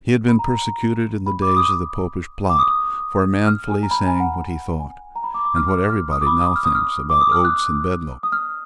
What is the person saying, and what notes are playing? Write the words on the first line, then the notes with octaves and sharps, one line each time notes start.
He had been persecuted in the days of the Popish plot for manfully saying what he thought, and what every body now thinks, about Oates and Bedloe.
B5
A#5
B5
D6
D#6
D6
D#6
F6
G#5
A#5
B5
G#5
F#5
G#5
A#5
B5
D6
D6
F6
F6
F6
D#6
D6
B5
D#6
F6
D#6
F6
D6
D#6
F6
F#6
D#6
F6